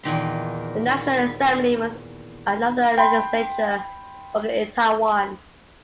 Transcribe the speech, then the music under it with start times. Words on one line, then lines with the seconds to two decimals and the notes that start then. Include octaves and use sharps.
The National Assembly was another legislature organ in Taiwan.
0.03 E2 A#2 D#3 C6
2.98 G5 B5 C6